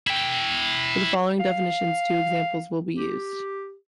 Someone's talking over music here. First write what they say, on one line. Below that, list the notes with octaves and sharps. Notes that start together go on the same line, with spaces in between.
For the following definitions, two examples will be used.
E4 G5
F5
G4